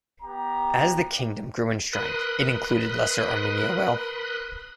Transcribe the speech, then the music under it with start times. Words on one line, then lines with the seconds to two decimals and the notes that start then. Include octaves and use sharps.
As the kingdom grew in strength, it included Lesser Armenia well.
0.22 B3 G4 A#5
1.93 A#4 B4 B5 C6 D#6 F#6